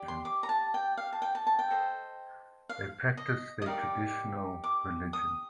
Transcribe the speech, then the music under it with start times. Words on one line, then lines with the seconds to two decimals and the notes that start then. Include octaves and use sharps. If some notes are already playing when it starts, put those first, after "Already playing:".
They practice their traditional religion.
Already playing: G4 D5
0.08 C6
0.25 D6
0.43 A#5
0.49 A5
0.74 G5
0.97 F5
1.13 A5
1.22 G5
1.35 A5
1.47 A5
1.59 G5
1.70 A4 C5 D#5
2.69 F5
3.17 D#5
3.62 D#5
3.66 D#4 G4 A#4 D5 F5
4.64 D6
5.13 D#6